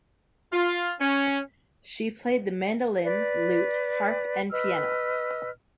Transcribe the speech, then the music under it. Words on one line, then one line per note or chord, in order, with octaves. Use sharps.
She played the mandolin, lute, harp and piano.
F4
C#4
B4 D5
B4 D#5 E6 F6